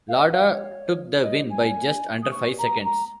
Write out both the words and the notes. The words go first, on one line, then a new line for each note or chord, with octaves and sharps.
Lauda took the win by just under five seconds.
F5
D#5
F5
C#5
D#5
G#5
D#6
C#6
A#5
A#5